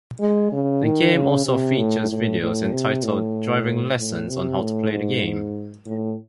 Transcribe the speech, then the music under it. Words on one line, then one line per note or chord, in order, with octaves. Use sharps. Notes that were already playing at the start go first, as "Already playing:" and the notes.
The game also features videos entitled driving lessons on how to play the game.
G#3
C#3
D#3
C#3
C3
A2
A2
A2
C3
A2
A2
C3
A2
G#2
A2